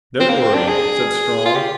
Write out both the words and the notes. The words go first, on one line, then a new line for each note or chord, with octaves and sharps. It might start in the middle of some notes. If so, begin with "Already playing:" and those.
"Don't worry," said Strong.
C4
A#3
C4
D4
G#4
F4
G4